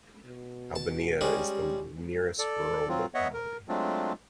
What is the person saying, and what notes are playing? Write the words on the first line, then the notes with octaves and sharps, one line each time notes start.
Albaniya is the nearest rural locality.
B2
A5
G3 G#3 C#4 G4
A4 D5
F#3 C4 F4
B3 C#5 D#5 E5 F#5
A#4
F#3 G#3 A3 C4 D4 F4